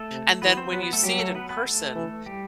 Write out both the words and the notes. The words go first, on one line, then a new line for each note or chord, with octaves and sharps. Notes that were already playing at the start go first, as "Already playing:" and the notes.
And then when you see it in person,
Already playing: A3 A4
C3
E3 B3 B4
C4 C5
F#3 B3 B4
B3 B4
A3 A4
F#3 G3 G4
A3 A4
B3 B4
B3 B4
A3 A4
E3
G3 G4